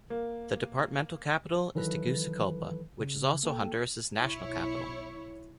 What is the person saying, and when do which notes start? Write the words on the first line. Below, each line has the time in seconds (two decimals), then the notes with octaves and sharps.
The departmental capital is Tegucigalpa, which is also Honduras's national capital.
0.10 A#3
1.75 D#3 E3 F#3 A4 B4
3.00 C#3
3.43 A#3 A4 G5
4.19 B1 E4 C#5